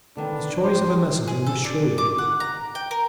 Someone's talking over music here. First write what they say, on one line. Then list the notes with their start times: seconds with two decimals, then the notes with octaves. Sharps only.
His choice of a messenger was shrewd.
0.17 D3 D#3 B3 D4
0.64 C4 D#4 G4 C5
1.27 G#4
1.46 A4
1.64 D4
1.98 D6
2.18 F#5
2.40 A#5
2.75 G5
2.91 A#4